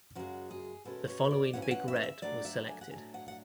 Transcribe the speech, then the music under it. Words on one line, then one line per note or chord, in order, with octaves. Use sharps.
The following Big Red was selected.
F#2 C#3 G#3 F#4
G#4
E2 B2 G#3 C#4 E4 A4
C#5
D5
E2 B2 G#3 C#4 E4 F#5
G#5
F#5
E5
D5
E5
A2 F#3 A3 D4 D5
E5
G#5
F#5
A2 F#3 A3 D4 G#5
F#5
F#5